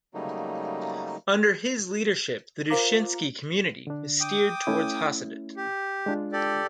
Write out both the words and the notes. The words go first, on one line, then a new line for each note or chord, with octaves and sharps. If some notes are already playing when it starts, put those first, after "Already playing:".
Under his leadership the Dushinsky community was steered towards Hasidut.
C#3 F#3 G3 A3 A#3 D#4
F4 A#4 C5 F5 A#5 D6
D3 D4
G5 D6 D#6
A3 C#4 E4
G4
G#3 D4 F4
G4 A4 D5